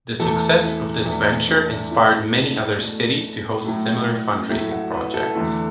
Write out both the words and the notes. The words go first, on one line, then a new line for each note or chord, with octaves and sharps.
The success of this venture inspired many other cities to host similar fundraising projects.
E2 E3 A3 A4
E4
D4
E2 E3 A3 E4
D4
B2 A3 E4
D4
B2 A3
A2 F#3 A3
A2 F#3 A3 E4
F#4
B4
A4
E2 D3 A3 E4